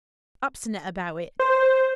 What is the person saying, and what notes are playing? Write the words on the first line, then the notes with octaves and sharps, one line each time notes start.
Obstinate about it.
C5